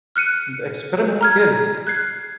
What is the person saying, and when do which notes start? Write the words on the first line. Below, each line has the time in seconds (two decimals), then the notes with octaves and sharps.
The experiment failed.
0.16 F6 F#6 C#7 D#7
1.21 A#5 F6 G#6
1.87 F#6 G#6 C7